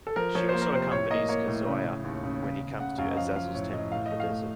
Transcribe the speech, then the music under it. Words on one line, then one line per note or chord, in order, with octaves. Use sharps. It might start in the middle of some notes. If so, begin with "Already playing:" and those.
She also accompanies Kazuya when he comes to Azazel's Temple in the desert.
A4
F3 A#4
F3 C#5
C5
A#3
A#4
C3 C5
A2 C#5
A#3 D#5
A#3 C#5
A2
C#3
C#3
D#2
C#3
C#3
C#3
C#3 F#5
F#2 F5
D#5
F3 F5
F3 F5
A2 C#5
A2 D#5
A2 F5
D#5
A3
F5
A3